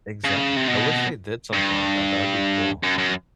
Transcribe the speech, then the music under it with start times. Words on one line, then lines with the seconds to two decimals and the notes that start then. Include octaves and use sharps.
Exact I wish they did something like that. That would be cool.
0.25 C#3
0.57 C3
0.68 B2
1.54 G2
2.83 F#2
2.98 F#2